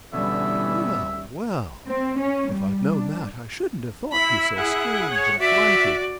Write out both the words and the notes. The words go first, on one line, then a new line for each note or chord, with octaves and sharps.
Well, well; if I'd known that, I shouldn't have thought you so strange and flighty.
B2 D3 E3 G3 C#4 E5
C4
C#4
G3
D4
E4 B5
G#4 F#5
C#5
F#4 D5 E5